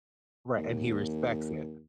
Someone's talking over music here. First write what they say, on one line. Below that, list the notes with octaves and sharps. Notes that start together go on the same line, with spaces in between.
Right, and he respects it.
D#2